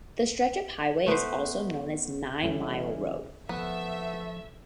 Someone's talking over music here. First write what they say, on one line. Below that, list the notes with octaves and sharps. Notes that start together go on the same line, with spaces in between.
This stretch of highway is also known as Nine Mile Road.
A3 B3 B4 C5
C#3 E3 G3 A3 C#4 F4
F3 A3 B3 E5